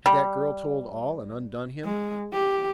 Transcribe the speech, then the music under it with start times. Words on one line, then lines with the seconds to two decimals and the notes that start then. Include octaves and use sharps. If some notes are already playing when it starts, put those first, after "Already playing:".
Had that girl told all and undone him?
0.06 G3
1.85 G#3
2.33 G4